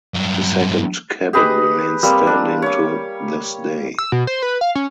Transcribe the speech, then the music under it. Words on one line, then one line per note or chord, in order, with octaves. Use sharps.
His second cabin remains standing to this day.
G2 F#3
G4 G#4 B4 D#5
G3 A#3 C4 D5
D4
C#5 D6
E6
B2
C5
B4
F5
C#4